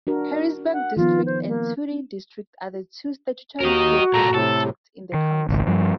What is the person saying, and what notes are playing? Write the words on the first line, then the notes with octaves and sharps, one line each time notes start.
Careysburg District and Todee District are the two statutorily created districts in the county.
D4 F#4 A#4
F#5
D#3 F3 B3 F4
C5
A#3
D#2 F#4 A#4 D#5
A#2 A3 A#5
A2 C3 A4
D#3
G#1 C#2
G2 F3